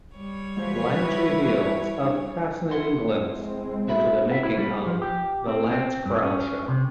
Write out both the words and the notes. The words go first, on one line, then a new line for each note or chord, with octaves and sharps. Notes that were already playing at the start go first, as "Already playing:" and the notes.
Lance reveals a fascinating glimpse into the making of The Lance Krall Show.
G3 C#5
E3 F3 G#3 F#4 B4 C5
E4
D4
E4 F#5 C6
G#3 C4
F#4 E5 B5
E5
E4
G3
F3
G4
C4
C4
G2
C#4
C3